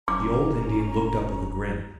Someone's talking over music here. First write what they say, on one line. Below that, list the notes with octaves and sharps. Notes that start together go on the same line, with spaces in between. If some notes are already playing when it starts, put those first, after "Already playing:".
The old Indian looked up with a grin.
F1 C#4 A#5 D6